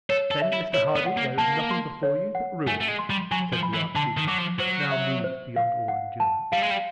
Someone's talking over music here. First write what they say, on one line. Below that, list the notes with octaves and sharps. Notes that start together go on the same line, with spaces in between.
"Then, Mr Harding, there is nothing before you but ruin," said the archdeacon, now moved beyond all endurance.
A4 C#5
A4
E5
E4
E4 C#5
B3
F#5
A#3
A#3 A5
C6
C#5
F#5
A3 G#5
A3
G#3
C6
G3
F#3 G#5
F3
B5
E3
D3 A5
D#3
F#3 D6
F3
F#3 C5
E5
C5
F5
F#5
A5
G3 F5
G#3
G3